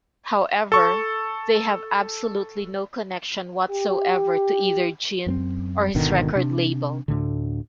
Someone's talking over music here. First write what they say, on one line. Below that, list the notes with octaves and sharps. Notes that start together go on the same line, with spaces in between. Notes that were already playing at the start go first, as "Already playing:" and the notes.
However, they have absolutely no connection whatsoever to either Ginn or his record label.
A4 C#6
G4
F#2 B3 C4
G#1 B2 D3 D#3
C3 D4
D2 A2 D3